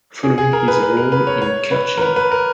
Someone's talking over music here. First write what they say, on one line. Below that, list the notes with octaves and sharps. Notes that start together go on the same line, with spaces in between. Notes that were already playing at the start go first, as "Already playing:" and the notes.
Following his role in Kerching!
G#4
G#4
A#4
B4
B4
A#4
B4
C#5
C#5
B4
A#4
B4
B4
A#4